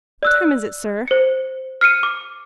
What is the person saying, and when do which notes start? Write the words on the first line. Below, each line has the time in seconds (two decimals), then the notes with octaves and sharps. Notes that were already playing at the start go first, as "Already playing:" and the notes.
"What time is it, sir?"
0.23 D5 E6 F#6
1.08 C5 C#7
1.81 F6 C7 C#7 D#7
2.03 D6